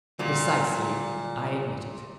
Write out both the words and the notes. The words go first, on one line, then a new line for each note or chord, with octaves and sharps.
"Precisely," I admitted.
A#2 D3 F#3 G3